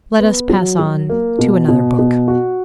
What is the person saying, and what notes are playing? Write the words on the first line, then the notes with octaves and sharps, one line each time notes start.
Let us pass on to another book.
B3
F#3
F#3
A#3
B2
B2
B2
F#4